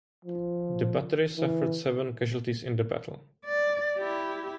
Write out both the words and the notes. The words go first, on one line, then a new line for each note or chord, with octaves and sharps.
The battery suffered seven casualties in the battle.
F3
E3
D5
E4 G4